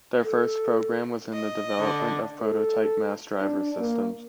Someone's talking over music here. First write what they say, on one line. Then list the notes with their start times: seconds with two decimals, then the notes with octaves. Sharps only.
Their first program was in the development of prototype mass driver systems.
0.25 A4
1.33 D#5
1.80 D3
2.42 A4
3.41 D4
3.79 A#3